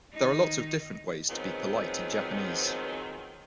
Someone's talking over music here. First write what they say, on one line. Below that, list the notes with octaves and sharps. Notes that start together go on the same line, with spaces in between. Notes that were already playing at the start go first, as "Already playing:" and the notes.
There are lots of different ways to be polite in Japanese.
D#3 D#4
D#3 F3 F#3 G#3 B3 C4